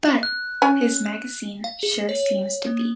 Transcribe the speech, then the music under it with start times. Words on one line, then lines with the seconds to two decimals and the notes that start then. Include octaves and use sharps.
But, his magazine sure seems to be.
0.23 F#6
0.62 C#4 G#5
1.64 F5
1.83 G#4
2.09 C#5
2.66 A#3